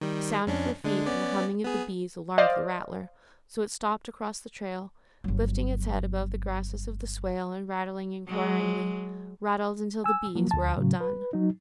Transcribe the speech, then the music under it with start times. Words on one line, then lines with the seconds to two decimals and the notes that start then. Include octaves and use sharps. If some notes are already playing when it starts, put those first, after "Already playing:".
The sound of her feet and the humming of the bees alarmed the rattler, so it stopped across the trail, lifting its head above the grasses of the swale and rattling inquiringly--rattled until the bees were outdone.
0.01 D#3 G3
0.47 F2 C#4 D4
0.84 D3 G#3 D4
1.06 B3 C#4 D5
1.64 B3 G#4
2.38 C5 D5 D#5 F5
5.24 G1 F#3
8.27 F#3 G#3
10.04 G#5 E6
10.35 F3 F#3 A#3
10.51 D2 A5
10.77 A2 C#3 F#3
11.01 B4
11.33 F#3 D#4